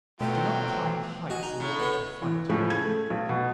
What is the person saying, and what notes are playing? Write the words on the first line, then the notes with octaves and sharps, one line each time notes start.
Do not climb heights in order to fight.
B2 F#3 A3 B3 C4 F4 G5
F#4 D#5 G#5
D#4
A2
B3 C#5
E3
A2 C#3 F3 G#3
G#6
A3
B1
B2